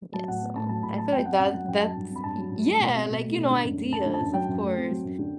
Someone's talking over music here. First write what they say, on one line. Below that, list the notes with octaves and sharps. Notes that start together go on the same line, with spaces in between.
Yes. So, I feel like that that's Y yeah! Like, you know, ideas, of course.
F#3 A5
A2 F#5
B3
A2 A5
F#3 A5
A2 B5
F#3 A5
F#2 G5
C4 F#5
F#2 F#5
F#3 F#5
F#2 G5
F#3 A5
G2
C4
B5
G2 A5
F#3
G2
A3
B2
C4
B2
A3
B2
D3
F#2
A3
F#2 A5
D3
A5
F#2
F#3 G5
F#2
A3
C4
F#3
F#2
D3